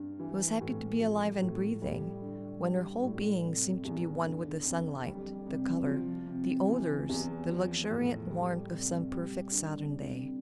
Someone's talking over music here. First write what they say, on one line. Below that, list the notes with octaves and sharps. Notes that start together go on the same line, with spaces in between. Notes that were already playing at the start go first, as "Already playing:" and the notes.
She was happy to be alive and breathing, when her whole being seemed to be one with the sunlight, the color, the odors, the luxuriant warmth of some perfect Southern day.
Already playing: G2
E3
A2
F3
A2
G3
D3
G3
A2
C3
E2
D3
F2
G3
C3
F3
C3
E3
E2
F3
A2
G3
C3
G3
D3
C3